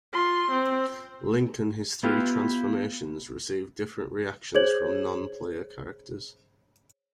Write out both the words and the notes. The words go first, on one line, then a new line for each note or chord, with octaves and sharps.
Link and his three transformations receive different reactions from non-player characters.
F4 C6
C4
B3 E4 F4 G4 B4 F5
G#4 C5 C#5 G#6 F#7